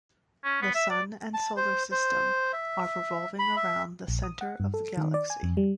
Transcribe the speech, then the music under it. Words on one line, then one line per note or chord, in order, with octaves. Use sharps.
The Sun and Solar System are revolving around the center of the Galaxy.
C#4
B3
E5
D5
A5
C5
C5
E5
B5
E5
A#1
D#6
F#5
G2
A4
D#3
D5
G#5
F2
G3